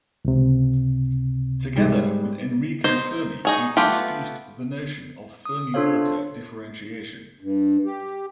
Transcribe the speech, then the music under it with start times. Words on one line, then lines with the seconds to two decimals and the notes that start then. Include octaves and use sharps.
Together with Enrico Fermi, he introduced the notion of Fermi-Walker differentiation.
0.25 C#2 C3
1.76 G#2 G3
2.84 D#4 C5
3.45 D#4 G#4 C#5
3.77 A3 B3 F4 G4
5.45 D#6
5.74 D4 F4 A4 C5 C#5 F5
7.40 G2
7.85 G4